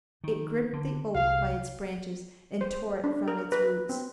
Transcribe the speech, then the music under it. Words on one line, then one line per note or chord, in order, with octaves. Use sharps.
It gripped the oak by its branches and tore it from its roots.
D#3
D3
C2 F5
C5
D4
A#4
B4
C4